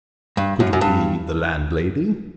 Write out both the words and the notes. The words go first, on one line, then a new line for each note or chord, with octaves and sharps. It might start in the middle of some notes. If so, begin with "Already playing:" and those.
Could it be the landlady?
G2
F#2
F#2
G2